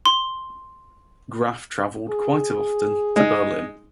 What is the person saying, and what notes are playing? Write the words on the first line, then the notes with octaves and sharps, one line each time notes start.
Graff travelled quite often to Berlin.
C6
G#4
G#3 D#4